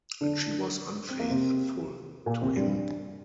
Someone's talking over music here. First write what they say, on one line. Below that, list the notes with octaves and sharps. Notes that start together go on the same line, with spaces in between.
And she was unfaithful to him.
D3 D4
C4
A#3
C3 C4
A#2 A#3
C3 C4
G2 G3